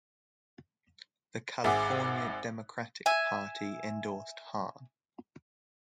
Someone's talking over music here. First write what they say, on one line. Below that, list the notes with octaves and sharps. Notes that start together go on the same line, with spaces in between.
The California Democratic Party endorsed Hahn.
G#1 G#4 E5 F#5 D6
E5 G#5